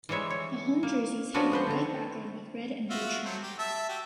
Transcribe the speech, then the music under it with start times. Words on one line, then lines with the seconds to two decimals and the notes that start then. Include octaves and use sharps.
The home jerseys had a white background with red and blue trim.
0.09 E3 G3 G#3 C#5 E5
0.30 C#5
0.83 A#3
1.34 F3 B3 C#4 D4 F#4 B4
1.51 G#3 B4 C5
1.67 D3 A3 A#5
2.90 F4 F#4 E5
3.25 F#3 A3 C5
3.42 G4
3.59 E5 A5
3.89 F#4 G4